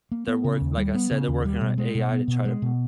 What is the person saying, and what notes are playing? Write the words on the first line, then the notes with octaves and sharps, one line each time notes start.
their work like I said, they're working on AI to try to
A#3
B3
C#3
D#2
G3
B3
C#3
D#2
G3
B2
G#3
B2
B3
B2
G#3
B2